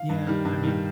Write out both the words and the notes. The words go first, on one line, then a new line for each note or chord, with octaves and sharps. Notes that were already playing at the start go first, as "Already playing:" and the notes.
Yeah, I mean
Already playing: F5
G2
D#3 G3
G2
D#3 G3